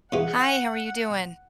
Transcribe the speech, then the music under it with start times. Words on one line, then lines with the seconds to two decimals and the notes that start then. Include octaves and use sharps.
Hi, how are you doing?
0.12 C#3 E3 F#5